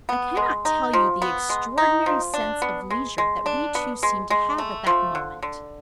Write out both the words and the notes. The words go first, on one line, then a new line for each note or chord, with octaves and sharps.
I cannot tell you the extraordinary sense of leisure that we two seemed to have at that moment.
B3
G#3
D#4
F3
B3
G#3
D#4
F3
D4
B3
G#3
G#3
D4
B3
G#3
G#3
A3
F3
D3
D3